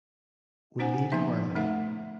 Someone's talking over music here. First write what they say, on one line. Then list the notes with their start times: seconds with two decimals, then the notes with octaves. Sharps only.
We need harmony.
0.79 C#4 D#4 F#4 C5 F#5 G#5
1.12 F3 A#3 B3 D#4 E5
1.55 D3 A3 D#4 E5 F#5